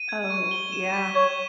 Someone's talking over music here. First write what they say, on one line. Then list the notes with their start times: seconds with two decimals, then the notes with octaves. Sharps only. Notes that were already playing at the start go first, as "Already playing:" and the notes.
Oh, yeah.
Already playing: D#7
0.09 G#6
0.30 C#6
0.51 G7
0.72 E7
0.94 B6
1.15 C#5 G#6